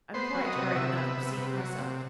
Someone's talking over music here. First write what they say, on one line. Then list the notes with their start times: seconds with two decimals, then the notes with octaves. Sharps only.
I am quite tired enough of seeing myself.'
0.14 B3 C5
0.35 F#3
0.46 D#5
0.56 C3
0.68 D#5
0.76 C3 E5
0.96 B3
1.17 C3
1.37 C3
1.58 F#3
1.78 C3